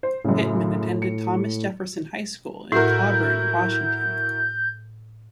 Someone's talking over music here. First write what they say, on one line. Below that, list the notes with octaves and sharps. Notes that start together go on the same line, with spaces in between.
Pittman attended Thomas Jefferson High School in Auburn, Washington.
C5
F#2 A2 C#3
C#7
A2 E4 F#4 A#4 G6